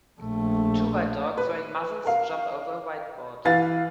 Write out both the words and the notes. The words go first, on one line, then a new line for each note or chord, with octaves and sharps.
Two white dogs wearing muzzles jump over a whiteboard.
A#1 A3
B4
A#4 F5
E3 B4 F5 A6